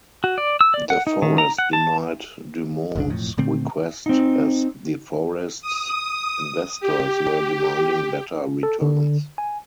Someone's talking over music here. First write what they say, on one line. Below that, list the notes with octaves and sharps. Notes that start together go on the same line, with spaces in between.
De Forest denied DuMont's request as De Forest's investors were demanding better returns.
F#4
D5
E6
D5
F#5
D#4
D#3
A#5
F#5
A5
F#1 C2 D4
E1 F2 A2
A#2 D3 A3 C4
C4 D#4
D#6
G4
A4
D3
G#5